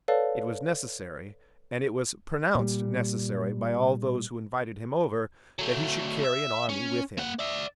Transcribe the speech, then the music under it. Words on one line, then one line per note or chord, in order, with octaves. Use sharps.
It was necessary, and it was pronounced necessary by all those who invited him over, that he should carry an army with him.
A4 B4 C#5 D5 F5 A5
A#2 G3
F#3 A3
E5
C#4
A#3 F#5
D5 E5